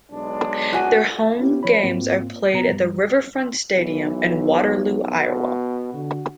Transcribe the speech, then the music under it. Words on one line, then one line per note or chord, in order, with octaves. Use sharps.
Their home games are played at the Riverfront Stadium in Waterloo, Iowa.
B1 G#3 D4
F#4 G#5
B3 C#4 E4 G4
F3 C#5 B5
G#2 A#3 C4 F4
B2 B3 A#5
G2 G3
B1 E3
B2
D3 F#4